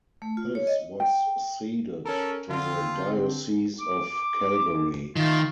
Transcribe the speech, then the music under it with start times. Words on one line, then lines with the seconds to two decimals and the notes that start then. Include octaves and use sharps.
This was ceded to the Diocese of Calgary.
0.22 A3
0.37 F4
0.55 C#5
0.67 D#5
1.00 G5
2.05 C#4 A4 A#4
2.49 D3 C4 F4
3.81 D6
5.16 D#3 A3 F4